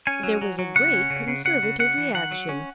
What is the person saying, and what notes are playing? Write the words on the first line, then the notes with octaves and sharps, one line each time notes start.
There was a great Conservative reaction.
C#4 G#5
F#3
F#3
F#3
C#3 F#5
C#4
C#3
C#3
C#3 F#5
C#3
C#3 F#5
E3
D#3 F#5
F#3
C#4